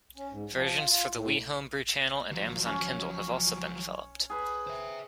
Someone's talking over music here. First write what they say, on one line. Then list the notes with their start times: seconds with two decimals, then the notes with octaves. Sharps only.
Versions for the Wii Homebrew Channel and Amazon Kindle have also been developed.
0.17 C#4
0.31 G#2
0.51 F3
0.76 F4
0.87 F4
1.15 A2
2.32 F3 F#3
2.65 C#4 C#5
4.30 G#4 B4
4.67 C5 E5